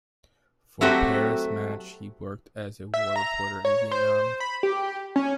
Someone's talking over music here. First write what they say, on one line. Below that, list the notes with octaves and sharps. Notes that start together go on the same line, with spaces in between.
For "Paris Match" he worked as a war reporter in Vietnam.
F#3 A3 C4 F#4 G4
E5
A#5
C#5
C5
B5
G4
C#4